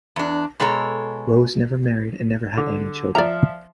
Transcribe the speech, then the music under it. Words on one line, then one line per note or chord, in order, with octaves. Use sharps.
Rose never married and never had any children.
E2 D4
B2 G#3 A4 C#5 G#5 A#5
D3
F3 D5 E5 A#5